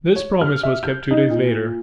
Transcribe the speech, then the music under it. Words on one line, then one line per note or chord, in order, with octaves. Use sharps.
This promise was kept two days later.
C#5
F6
E5
G6
D#4
A#2